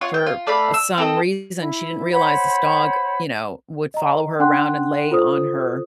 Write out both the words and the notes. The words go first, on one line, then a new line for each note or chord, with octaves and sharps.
for, uh, some reason she didn't realize this dog, you know, would follow her around and lay on her,
F4 C#5 F#5
G5
F4
A3 D5 F5 B5
E6
C4 A4 D#5
E4
C5 C#5 F#5 B5
D#5 A#5
D4 F#5 G5 C6 F#6
F4 A4 C5 D#6